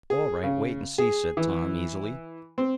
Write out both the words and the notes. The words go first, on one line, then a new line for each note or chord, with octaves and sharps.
"All right, wait and see," said Tom, easily.
G#4
C#3
G#4
E3
C4